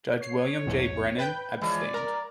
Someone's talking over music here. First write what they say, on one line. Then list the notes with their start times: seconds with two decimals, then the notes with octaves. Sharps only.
Judge William J. Brennan abstained.
0.22 C#5 C7
0.66 B1 E2 G#2
1.18 B4 G5 G6
1.61 E3 F3 G#3 C#5 D5
1.94 A#4 A#5